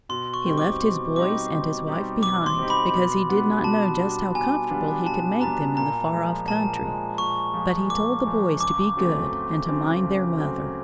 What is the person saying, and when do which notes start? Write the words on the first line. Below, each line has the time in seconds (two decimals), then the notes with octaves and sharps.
He left his boys and his wife behind, because he did not know just how comfortable he could make them in the far-off country, but he told the boys to be good and to mind their mother.
0.09 B2 C6
0.34 C#6
0.45 G3 C4 D#4 G4
0.58 D6
0.81 B2
1.16 G3 C4 D#4 G4 D6
1.51 B2
1.87 G3 C4 D#4 G4
2.22 B2 D6
2.46 C6
2.57 G3 C4 D#4 G4
2.70 B5
2.93 B2
3.29 G3 B3 D4
3.64 B2 A5
4.00 G3 B3 D4
4.35 B2 G#5
4.70 G3 B3 D4
5.07 B2 A5
5.41 G3 B3 D4 A#5
5.77 A#2 A#5
6.12 F3 G#3
6.48 A#2 A5
6.84 F3 G#3
7.18 A#2 C#6
7.54 F3 G#3
7.90 A#2 D6
8.26 F3 G#3
8.60 C#2 D6
8.95 C#3 F#3 A3 C4
9.32 C#2
9.67 C#3 F#3 A3 C4
10.02 C#2
10.38 C#3 F#3 A3 C4